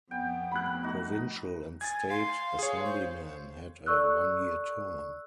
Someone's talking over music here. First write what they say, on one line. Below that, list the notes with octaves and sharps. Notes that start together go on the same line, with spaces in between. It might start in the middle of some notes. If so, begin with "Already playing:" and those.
Provincial and State Assemblymen had a one-year term.
F2 B3 G5
B5 F#6
A3 D#4 F#4
G#5 G#6 A6
F5 C6
G#4 C#5
C5
A4 D5 C#6 E6 F#6